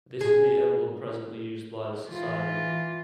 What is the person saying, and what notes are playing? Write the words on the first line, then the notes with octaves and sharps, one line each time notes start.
This is the emblem presently used by the society.
G#4
E3 F4